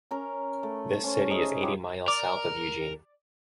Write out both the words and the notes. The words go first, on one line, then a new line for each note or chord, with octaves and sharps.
This city is eighty miles south of Eugene.
C#4 A#4
A3
C#4 C5
D#4 G#4 E5
F4 G4 B4
A#4 D5